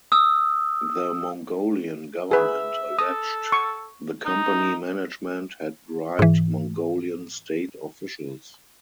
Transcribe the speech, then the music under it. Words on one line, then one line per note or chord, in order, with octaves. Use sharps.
The Mongolian government alleged the company management had bribed Mongolian state officials.
D#6 E6
G#4 B4 E5
A4 D#6
C#6
D#4
G#2 E3